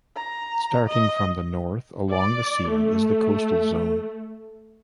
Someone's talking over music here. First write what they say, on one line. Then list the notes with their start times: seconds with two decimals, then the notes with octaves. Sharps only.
Starting from the north along the sea is the coastal zone.
0.16 A#5
0.88 D#5
2.12 D5
2.71 A3